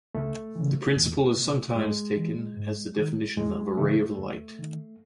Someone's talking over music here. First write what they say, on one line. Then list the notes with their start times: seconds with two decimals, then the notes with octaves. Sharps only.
This principle is sometimes taken as the definition of a ray of light.
0.15 C#2 A3
0.56 C#3 E3
0.95 E2
1.36 B2
1.76 G#2 G#3
2.16 E3
2.57 G#2
2.97 D#3
3.37 E2 G#3
3.78 C#3 E3 A3
4.18 D#2
4.59 D#3